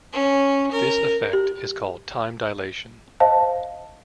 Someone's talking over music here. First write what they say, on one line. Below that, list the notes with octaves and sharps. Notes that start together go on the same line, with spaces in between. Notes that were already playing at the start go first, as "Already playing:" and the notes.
This effect is called time dilation.
C#4
A#4
G4
C5 D#5 F5 A5